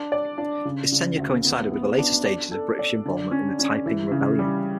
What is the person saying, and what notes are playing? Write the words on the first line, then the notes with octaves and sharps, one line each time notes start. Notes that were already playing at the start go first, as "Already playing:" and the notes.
His tenure coincided with the later stages of British involvement in the Taiping Rebellion.
Already playing: D4
D5
D4
C#3
C#3
D2
B3
B3
D4
D5
A4
D5
D3
C#4
C#4
E3
C#3
G3